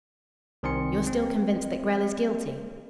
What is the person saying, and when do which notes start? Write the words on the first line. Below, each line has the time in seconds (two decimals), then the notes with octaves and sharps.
"You're still convinced that Grell is guilty?"
0.63 C2 D#3 C4 G#5 C6 C#7
1.07 C4